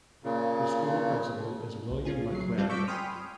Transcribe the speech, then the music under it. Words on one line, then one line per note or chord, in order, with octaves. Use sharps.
The school principal is William LaClair.
A#2 C#3
B1
C#4 F4 G#4
F#3 C7
G3 C4 F4 A4
C#6 D6 E6 G6 B6 D7
G5 G#5 B5 C6 D#6 F6